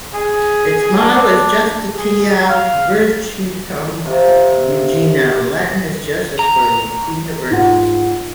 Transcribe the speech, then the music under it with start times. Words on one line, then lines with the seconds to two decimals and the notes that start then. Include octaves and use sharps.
Its motto is "Justitia Virtutum Regina", Latin for "Justice is Queen of Virtues".
0.14 G#4
0.98 D4
1.97 G#4
2.49 F5
4.05 C3 D#3 F3
6.39 A#5
7.50 G#2 F4 F#5